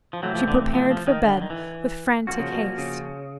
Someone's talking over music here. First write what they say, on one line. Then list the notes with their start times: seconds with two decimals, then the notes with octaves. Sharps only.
She prepared for bed with frantic haste.
0.13 F3
0.23 C3 E3 F#3 A3 C4
0.35 F3
0.48 D3
0.74 F3
0.91 F3
1.07 D#3
1.24 D3
1.41 D#3
1.50 E3
2.27 F3 A#3 C#4 F#4
2.39 C#3
2.53 B2
2.78 C#3